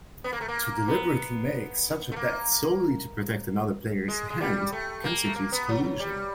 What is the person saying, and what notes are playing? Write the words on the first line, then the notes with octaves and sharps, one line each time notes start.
To deliberately make such a bet solely to protect another player's hand constitutes collusion.
B3
A#3
A3
A#3
B3
A3
A#3
G#3
G#3
G3
A3
A#3
A3
A#3
B3
F#3
F#3
G3